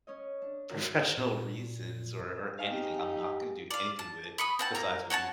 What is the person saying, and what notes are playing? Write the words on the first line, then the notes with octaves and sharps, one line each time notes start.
professional reasons, or or anything. I'm not going to do anything with it, besides maybe
C#4 C#5 D#5
D4
D#2 D3 E3 F#4 A#4 F#6
A#2
D#4 G4 G#4 F5
D5 F5
A5
B5 C#6 D#6
C4 F#5 A5
A#3 A#5
F#4 C#5 F#5 A5